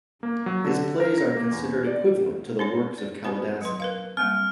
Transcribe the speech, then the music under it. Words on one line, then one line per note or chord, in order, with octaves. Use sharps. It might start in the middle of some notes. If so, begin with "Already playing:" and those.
His plays are considered equivalent to the works of Kalidasa.
A#3
F#3
D3
A#4
A#6
A#3
E2
D5
C4 D#4 C#5
D5
C4 F#4 B5
F#3 B4 C6
A#4 B4 F5
G3 A#3 C4 F6